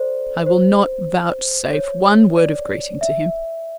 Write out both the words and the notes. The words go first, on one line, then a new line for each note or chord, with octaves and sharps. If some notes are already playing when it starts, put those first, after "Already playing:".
I will not vouchsafe one word of greeting to him.
Already playing: A4 C5 D5
C5
C#5
D5
E5